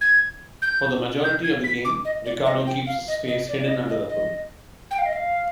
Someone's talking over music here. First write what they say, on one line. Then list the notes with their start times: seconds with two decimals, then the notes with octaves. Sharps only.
For the majority of the game, Riccardo keeps his face hidden under a hood.
0.01 G#6
0.62 G6
1.24 G6
1.44 G#6
1.64 B6
1.85 D6
2.05 D#5
2.26 D5
2.46 D#5
2.67 G5
2.87 F5
3.08 D#5
3.28 D#5
3.49 D5
3.59 D5
3.68 D#5
3.89 D#5
4.09 D#5
4.91 G5
4.99 F5
5.06 D#5
5.13 F5